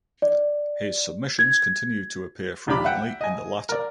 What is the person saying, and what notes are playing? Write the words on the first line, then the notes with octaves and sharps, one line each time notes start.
His submissions continue to appear frequently in the latter.
D5
G#6
A#1 D#2 D4 G4 B5 D6
E5 F#5 G5
D#5 G#5
A#4 D5